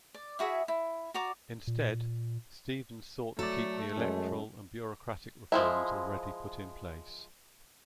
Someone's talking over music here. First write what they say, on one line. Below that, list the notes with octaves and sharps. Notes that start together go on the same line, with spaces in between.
Instead, Stephens sought to keep the electoral and bureaucratic reforms already put in place.
D5
E4 F#4 G#4 E5
E4
F#4 D5 A#5 D6
A#2
F#3 A3 A4 D5
F#2 G#3 C#4
F3 G#3 E4